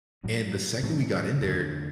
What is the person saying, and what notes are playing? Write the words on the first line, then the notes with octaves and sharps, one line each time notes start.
And the second we got in there,
A2 F#3 C#4
A2 F#3 A3 C#4
E2 D3 A3 D4